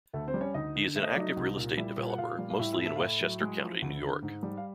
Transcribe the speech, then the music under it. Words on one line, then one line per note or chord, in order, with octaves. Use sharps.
He is an active real estate developer, mostly in Westchester County, New York.
D2 A3 A4
C4 C5
G3
C#4 C#5
D2 D#4 D#5
D3
A3 E5
D#5
D5
F#3 D#4 D#5
C2
A#2
G3 E4 E5
A#2
F#5
A#2 F4 F5
G3
F5
A2 E4 E5
E4 E5
A3
E4 E5
F5
A2 E4 E5
F#3
G#3
F3
D2
D3
G#2
G3
F5